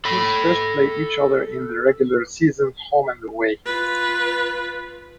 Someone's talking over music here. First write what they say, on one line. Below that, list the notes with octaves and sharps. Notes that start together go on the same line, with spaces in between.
Teams first play each other in the regular season home and away.
A4 B5
F4 B4